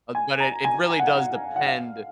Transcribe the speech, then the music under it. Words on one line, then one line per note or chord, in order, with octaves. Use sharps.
um, but it it really does depend
G#5
A#5
G#5
G#5
F#5
F5
F#5
F#5
F5